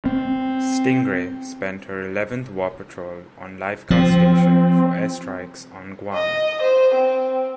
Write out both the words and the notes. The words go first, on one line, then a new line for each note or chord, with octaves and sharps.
"Stingray" spent her eleventh war patrol on lifeguard station for air strikes on Guam.
C4
F3 C4
D#5
C5
C4